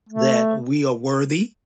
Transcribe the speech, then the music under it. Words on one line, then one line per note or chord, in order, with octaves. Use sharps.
That we are worthy.
A3